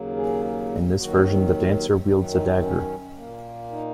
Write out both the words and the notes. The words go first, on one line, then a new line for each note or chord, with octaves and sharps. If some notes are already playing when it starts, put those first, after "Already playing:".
In this version, the dancer wields a dagger.
Already playing: D#2 C#3 F#3 A#3
G#4
D#2 D#3 F#3 F#4
F#2 D#3 F#3 D#4
D#4
C#4
A#2 A#3
D#4